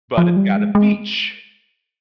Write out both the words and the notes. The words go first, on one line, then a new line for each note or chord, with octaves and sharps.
but it's got a beach,
F3
G3
G#3
G#3